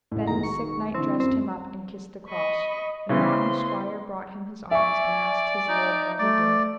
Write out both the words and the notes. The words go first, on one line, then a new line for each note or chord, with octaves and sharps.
Then the sick knight dressed him up and kissed the cross; anon his squire brought him his arms, and asked his lord how he did.
A1 A2
B1 D#3 G#3 A#5
C#6
D3 E3 C4
F#2 C4
D#5 B5 C#6
C#3 E3 B3 C5 C6
D5 E5 G#5 C#6
D#4
A3 D5